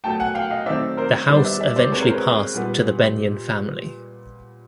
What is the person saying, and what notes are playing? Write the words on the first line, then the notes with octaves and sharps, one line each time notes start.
The house eventually passed to the Benyon family.
B2 F#3 A3 G5 A5
F#5 G#5
F5 G5
D#5 F5
D#3 F#3 A3 C4 D5 E5
A#4 C5
D#3 G3 B3 C5 D5
D5 E5
D5 E5
C5 D5
B2 G#3 C4 B4 C#5
A#4 C5
B4 C#5
A#2 G3 B3